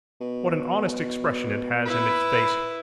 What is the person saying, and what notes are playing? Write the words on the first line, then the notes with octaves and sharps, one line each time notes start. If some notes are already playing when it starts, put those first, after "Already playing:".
What an honest expression it has in its face!
B2
E4 B4 B5